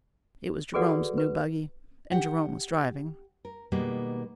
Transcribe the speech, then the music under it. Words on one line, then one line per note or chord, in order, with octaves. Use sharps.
It was Jerome's new buggy and Jerome was driving.
F#4 G#4 A4 B4 D5 F#5
B4
G4 F#5
A#4
B2 D#3 G3 G#3 A#3 B3